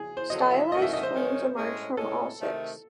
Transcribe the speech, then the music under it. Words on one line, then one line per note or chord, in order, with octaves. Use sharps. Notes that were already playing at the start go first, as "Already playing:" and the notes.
Stylized flames emerge from all six.
Already playing: G#4
C5
C#3 F#3 C4 D#4 A4 D#5
E5
G#2 D#3 A3 C#4 F#4 D#5
E5
D#5
C5
F#2 D#3 G#3 C#4
A2 G#3 C#4 G#4
A2 G#3 C#4 A4
C3 D#3 A3